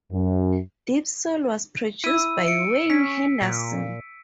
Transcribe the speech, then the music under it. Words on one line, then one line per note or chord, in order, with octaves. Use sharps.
Deep Soul was produced by Wayne Henderson.
F#2
E4 E6 D#7
C#7 D7
C#4 B6
A#2